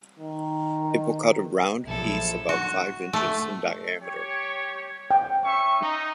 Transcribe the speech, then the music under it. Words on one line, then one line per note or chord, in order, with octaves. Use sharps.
It will cut a round piece about five inches in diameter.
D#3
A#1 F3 F#3 E4 A4
F#4
A3
G4 C#5
G5
C#4 E5 C#6
D#4